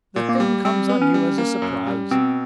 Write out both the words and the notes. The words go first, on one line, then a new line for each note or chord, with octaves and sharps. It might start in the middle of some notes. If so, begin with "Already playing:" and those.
The thing comes on you as a surprise.
A#2
A#3
G3
G3 C4
B3
C#4
G3
A#3
F#2
G3
B2 C4